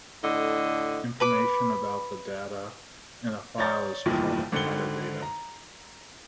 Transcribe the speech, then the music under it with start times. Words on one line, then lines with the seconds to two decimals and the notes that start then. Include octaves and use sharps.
Information about the data in a file is called metadata.
0.24 A2 D3 D#5
1.20 B4 B5 D6
3.58 C#5 D5 A#5 G6 A6
4.06 F1 A#1 E2 G2 A#2 D#3
4.52 G#1 D3 D#3 C#7 G7
5.22 A#5